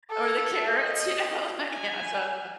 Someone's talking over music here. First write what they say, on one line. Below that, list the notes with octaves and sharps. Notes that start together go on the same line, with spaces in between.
or the carrots, you know, like, yeah, so
A4
D#5
G#5